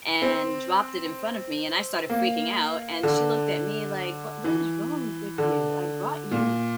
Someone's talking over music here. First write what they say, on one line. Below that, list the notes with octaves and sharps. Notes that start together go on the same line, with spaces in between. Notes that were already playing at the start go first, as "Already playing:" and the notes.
and dropped it in front of me, and I started freaking out. And she looked at me like, what what is wrong with you? I brought you
C4
A#3
D3
E3
D3
A#2